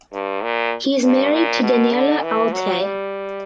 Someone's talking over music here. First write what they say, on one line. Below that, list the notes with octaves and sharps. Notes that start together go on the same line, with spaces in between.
He is married to Daniella Altay.
G2
A#2
G2
A#2
B2
D3
E3
F#3
G3